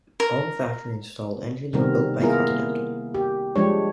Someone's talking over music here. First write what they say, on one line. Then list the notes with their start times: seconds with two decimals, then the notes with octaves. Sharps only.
All factory-installed engines were built by Continental.
0.20 A#4
1.73 C3 D#3 G3 B3 C4 A#4
2.20 A#3 B3 E4 F4 G#4 A#4
2.50 A#3
3.14 G4
3.56 F3 G3 G#3 D4 G4 C#5